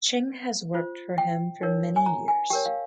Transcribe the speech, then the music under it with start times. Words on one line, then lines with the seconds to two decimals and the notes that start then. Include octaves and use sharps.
Ching has worked for him for many years.
0.74 F4 C5
1.18 G5
1.62 D#4 A#4 C#5
1.96 G#5
2.06 A#5
2.28 G#5
2.50 G4 A#4 C#5 G5
2.66 F5